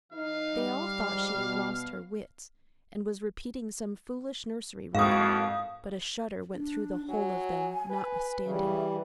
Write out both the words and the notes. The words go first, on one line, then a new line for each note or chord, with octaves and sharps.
They all thought she had lost her wits, and was repeating some foolish nursery rhyme; but a shudder went through the whole of them notwithstanding.
E3 D#4 F5
G3
G#2 F3
B2
F2 G#2 A#3 E4 F#4 F5 D#6
D4
F#3 G#5
B4
C#3 E3 G3 E5